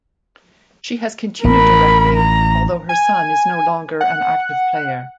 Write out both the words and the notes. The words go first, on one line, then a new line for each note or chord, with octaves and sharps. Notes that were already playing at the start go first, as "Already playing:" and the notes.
She has continued directing, although her son is no longer an active player.
A1 A#4 B5
A#5
G#5
F#5